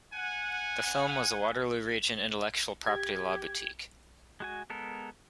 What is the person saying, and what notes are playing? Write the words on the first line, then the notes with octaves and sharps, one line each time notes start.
The firm was a Waterloo Region intellectual property law boutique.
F#5 G#5
G4 G#6
G#3 F#4 G#5
G#3 B3 A4 A#4